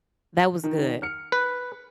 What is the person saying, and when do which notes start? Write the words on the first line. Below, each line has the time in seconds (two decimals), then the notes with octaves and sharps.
That was good.
0.64 D#3
1.02 F6 C#7
1.32 B4